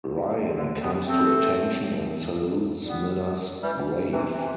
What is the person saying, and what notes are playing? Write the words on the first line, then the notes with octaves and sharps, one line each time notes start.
Ryan comes to attention and salutes Miller's grave.
C3
D3
G3 B3
A3 C4
G3 B3
E3 G3
C3 E3
C3 E3